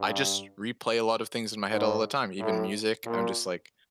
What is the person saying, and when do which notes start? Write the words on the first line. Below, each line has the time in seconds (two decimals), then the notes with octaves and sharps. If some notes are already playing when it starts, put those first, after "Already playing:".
I just replay a lot of things in my head all the time, even music, I'm just, like,
Already playing: G2
1.72 G#2
2.39 A2
3.05 A#2